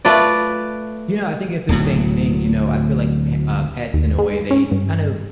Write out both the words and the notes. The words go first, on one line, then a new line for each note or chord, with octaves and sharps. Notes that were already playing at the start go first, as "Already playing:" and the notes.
You know, I think it's the same thing, you know. I feel like p uh, pets in a way, they kind of,
A3 F4 B4 D5
D1 D2 A2 F#3
D#2
G#3
C#4
G2